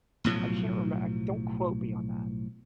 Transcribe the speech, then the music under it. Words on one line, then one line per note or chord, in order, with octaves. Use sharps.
I can't reme don't quote me on that.
B1 A2 F3 F#3